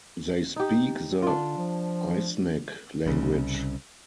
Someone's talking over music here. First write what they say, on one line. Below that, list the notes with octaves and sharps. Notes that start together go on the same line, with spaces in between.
They speak the Isneg language.
D#4 G4
D3 D4 F4
F3
C2 C#3